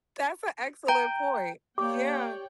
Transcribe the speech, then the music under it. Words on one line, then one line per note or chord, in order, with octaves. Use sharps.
That's an excellent point. Yeah.
G5 A#5
A#3 G4 C#5 D5 G5 D6